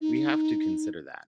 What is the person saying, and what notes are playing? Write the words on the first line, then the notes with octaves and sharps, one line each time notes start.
We have to consider that.
D#4